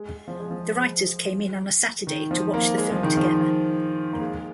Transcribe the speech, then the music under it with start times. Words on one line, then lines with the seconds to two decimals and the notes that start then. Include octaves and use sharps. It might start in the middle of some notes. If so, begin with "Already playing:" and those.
The writers came in on a Saturday to watch the film together.
Already playing: G#3
0.28 F3
0.40 G#3
0.51 F3
2.07 D#3
2.31 F3
2.54 A#3
2.78 G#3
2.91 F3
3.03 D#3
3.17 F3
4.13 A#3
4.20 G#3